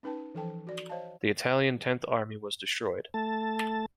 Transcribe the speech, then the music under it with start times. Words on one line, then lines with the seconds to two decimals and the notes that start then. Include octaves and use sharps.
The Italian Tenth Army was destroyed.
0.03 C#4 D#4 B4 G5 A5
0.35 E3 F3 A4 C5 G5 A5
0.67 F#4 D5
0.90 C5 C#5 D#5 F5 A5
3.14 A3 A5